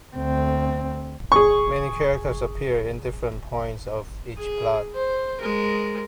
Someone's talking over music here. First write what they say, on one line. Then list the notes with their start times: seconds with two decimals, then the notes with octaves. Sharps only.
Many characters appear in different points of each plot.
0.16 D2 C4
1.32 G#4 C#6
4.37 G#4
4.95 C5
5.41 G#3 A#4